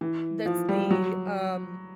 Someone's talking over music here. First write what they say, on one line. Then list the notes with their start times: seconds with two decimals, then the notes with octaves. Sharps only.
that's the, um,
0.01 E3
0.46 F3
0.69 G3
0.91 F#3